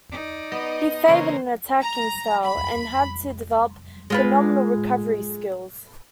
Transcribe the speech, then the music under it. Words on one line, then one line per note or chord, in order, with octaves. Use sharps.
He favoured an attacking style, and had to develop phenomenal recovery skills.
D#4 D5
B3 D#5
C#3 E3 A#3 C#4 C5
A#5
B5
G#3 F4 B4